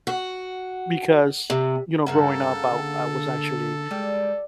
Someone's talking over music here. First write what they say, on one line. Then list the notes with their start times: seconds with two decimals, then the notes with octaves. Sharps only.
because, you know, growing up, I I was actually
0.07 F#4
1.50 C3
2.07 G2 C#3 A#3 A4 F#5
2.71 D3
3.91 G3 G#3